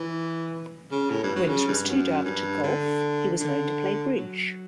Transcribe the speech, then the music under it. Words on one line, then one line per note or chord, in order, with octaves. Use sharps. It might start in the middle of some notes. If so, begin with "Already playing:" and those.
When it was too dark to golf, he was known to play bridge.
Already playing: E3
C#3
A2
G2
F#3
C#3
G2
F#2
G2
D3
D3
F#3